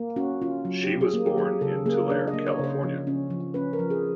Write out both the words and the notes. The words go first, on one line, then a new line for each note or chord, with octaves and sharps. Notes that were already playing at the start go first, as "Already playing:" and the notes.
She was born in Tulare, California.
Already playing: A#3
C#4 F#4
C#4 F4
F#3
G4
F#3
G#4
A#3
G4
F#3 G#4
C#3 A4
A#3 G#4
D4 D5
D#5
A#3
C#5
C#3 C5
F3
C#4
F3
C#4 B4
A#4
F3
G#4